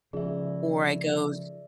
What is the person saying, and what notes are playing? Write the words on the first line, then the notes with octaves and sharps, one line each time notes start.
Or I go s
C#3 F3 G#4 D5 E5